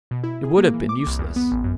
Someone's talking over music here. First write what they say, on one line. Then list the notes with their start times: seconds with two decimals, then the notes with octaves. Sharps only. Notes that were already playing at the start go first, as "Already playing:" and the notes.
It would have been useless.
0.11 B2
0.24 E4
0.44 G#4
0.58 A#3
0.74 E3
0.89 D6
1.07 C2
1.19 E2
1.36 B3
1.52 A1
1.64 F#2